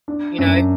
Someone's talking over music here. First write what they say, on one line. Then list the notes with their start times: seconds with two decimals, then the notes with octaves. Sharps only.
you know?
0.08 D4
0.38 F#2